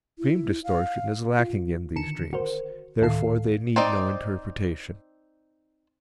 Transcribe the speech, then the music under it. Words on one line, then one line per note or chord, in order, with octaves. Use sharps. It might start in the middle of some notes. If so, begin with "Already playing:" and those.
Dream distortion is lacking in these dreams, therefore they need no interpretation.
E4
F5
F4
D3 D#3 C#7 E7
F#4 A#4 C5
D2 A2 D#3 A4 F5 C7
C4 D#4 D5